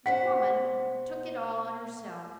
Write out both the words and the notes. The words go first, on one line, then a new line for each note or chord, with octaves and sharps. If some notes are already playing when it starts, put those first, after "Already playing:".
The woman took it all on herself.
B2 C5 F#5 A#5 B6